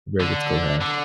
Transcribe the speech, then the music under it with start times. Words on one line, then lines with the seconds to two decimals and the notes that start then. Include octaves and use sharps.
Very good skill to have.
0.20 D3
0.81 D3